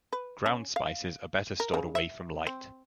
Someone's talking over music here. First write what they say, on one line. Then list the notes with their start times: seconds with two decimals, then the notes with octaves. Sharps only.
Ground spices are better stored away from light.
0.13 B4
0.46 C#4
0.76 F5
1.60 A#4
1.74 C#3
1.95 E5
2.47 C4